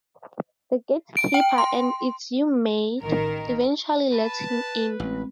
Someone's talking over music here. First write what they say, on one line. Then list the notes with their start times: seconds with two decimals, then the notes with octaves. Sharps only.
The gatekeeper, an "Itsumade", eventually lets him in.
1.17 D7
1.34 G5
1.58 C6
3.01 A1 D#3 A#4
4.13 B4 A5
5.00 A1 G#3 C4